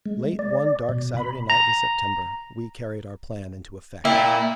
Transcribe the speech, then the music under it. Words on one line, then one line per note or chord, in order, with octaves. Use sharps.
Late one dark Saturday night in September we carried our plan into effect.
G#3
D5
B2
B5
A#5
A#2 A#3 E4 G5